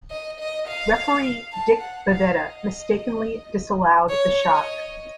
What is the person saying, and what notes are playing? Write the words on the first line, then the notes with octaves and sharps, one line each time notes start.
Referee Dick Bavetta mistakenly disallowed the shot.
D#5
D#5
F5
A5
F#5
F5
D#5
C#5
D#5